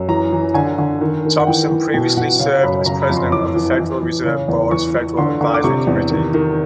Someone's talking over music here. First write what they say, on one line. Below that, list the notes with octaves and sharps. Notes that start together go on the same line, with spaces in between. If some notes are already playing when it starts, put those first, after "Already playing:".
Thompson previously served as president of the Federal Reserve Board's Federal Advisory Committee.
Already playing: F#2
E3 A#5
E3
D3 G#5
D3
D#3
D#3
F#5
E3 G5
E3
B2 G5
B2 F#5
C#3 F5
F#2 B5
B5
C#3 A#5
B5
F2
C6
E3 D6
E3
E3
E3
C#3
E2
E3 C#6
E3
D3 C6
D3
D6
C3 C#6
E2
D#3
D#3